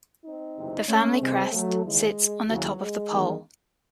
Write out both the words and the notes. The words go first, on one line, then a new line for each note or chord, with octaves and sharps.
The family crest sits on top of the pole.
C4 D#4
F#1 E2 C3 E3
A3 C#4
C2 C3 E3 G#3 C4
F#3 A3
D#2 C#3 E3 G#3
D#2 C#3 E3 F#3
G#3
E2 D#3